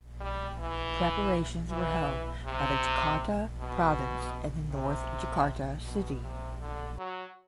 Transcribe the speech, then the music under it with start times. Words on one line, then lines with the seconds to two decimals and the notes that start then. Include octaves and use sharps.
Preparations were held by the Jakarta province and the North Jakarta City.
0.20 G3
0.58 E3
1.70 E3
2.46 C3
3.59 B2
4.72 C3
5.85 B2
6.22 C3
6.60 D3
6.98 F#3